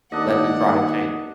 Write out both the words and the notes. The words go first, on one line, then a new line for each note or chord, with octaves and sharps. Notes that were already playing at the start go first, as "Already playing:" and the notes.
let me try to change it."
D#2 D4 D#5 F#5